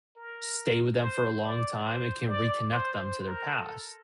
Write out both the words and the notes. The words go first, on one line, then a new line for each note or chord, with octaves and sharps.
stay with them for a long time, it can reconnect them to their past.
A#4
C5
D5
C5
D5
C5
C5
A#4
A4